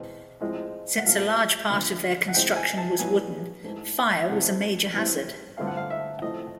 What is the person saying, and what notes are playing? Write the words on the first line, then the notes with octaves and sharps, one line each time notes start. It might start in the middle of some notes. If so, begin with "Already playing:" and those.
Since a large part of their construction was wooden, fire was a major hazard.
Already playing: E2 B2 G#3 C4
A2 F3 G#3 C4
F#5
A#2 F#3 A3 C4 F5
D2 D3 F3 A#3
F#5
A2 F3 G#3 C4 G5
G#5
A5
A2 F#3 B3 G#5
G#2 E3 A3
C2 C3 E3 A3 C4 F#5
A2 E3 G3 C4
G2 D3 F3 A3 C4 F5
F#5
F5
E5
A2 F3 A3 C4 D#5